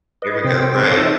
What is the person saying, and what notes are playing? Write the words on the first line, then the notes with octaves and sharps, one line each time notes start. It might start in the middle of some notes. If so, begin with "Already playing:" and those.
Here we go, right.
B4 D#5
C3 C5 G5
A4 C5 C#5 F5 C6 D6
D#4 C5 E5 A5